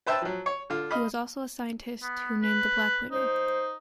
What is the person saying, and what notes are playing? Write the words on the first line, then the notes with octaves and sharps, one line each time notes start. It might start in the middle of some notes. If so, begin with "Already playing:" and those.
He was also scientist who named the black widow.
B4 C5 E5 G5 A5
F3 F#3
C#5
D3 F4
D#5 F5 B5
B3
B4
D#4 C5